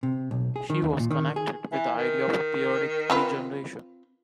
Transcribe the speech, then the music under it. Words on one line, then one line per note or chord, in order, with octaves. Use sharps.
She was connected with the idea of a periodic regeneration.
C3
B1
G#4
D#3
D#2
A#2
D#3
G#4
E3
D#3
C4 F4 B4